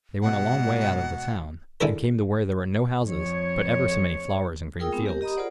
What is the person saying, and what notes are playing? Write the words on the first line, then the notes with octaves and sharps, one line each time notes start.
They went a long way out of the town, and came to where there were no houses, but ever so many flowers and green fields.
G#2 B2 F#5
D3 D#3 G#3 D4 E4 A#4
F2 C#5
F4 G#4 A#4 G5 D#6 E6
G#3 B3 C4
G4 A#4
G4 D#5 A#5 B5 D#6
F4 G#4 A#4 C5 D5 F#5